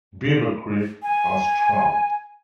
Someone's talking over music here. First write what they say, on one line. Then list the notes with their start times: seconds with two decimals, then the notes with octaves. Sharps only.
Beaver Creek has trout.
1.03 G#5